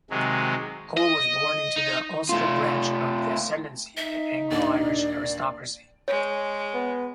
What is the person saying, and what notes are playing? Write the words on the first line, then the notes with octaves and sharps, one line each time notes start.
Cole was born into the Ulster branch of 'the Ascendancy', the Anglo-Irish aristocracy.
C3 D#3 F#3 G#3
D#5
D#4
A3 F4
D#4 E5
D#2 A#2 D4 D5
G#3 C#5
B3